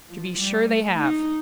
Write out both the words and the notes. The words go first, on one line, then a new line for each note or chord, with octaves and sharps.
"To be sure they have."
F3
G3
A3
D#4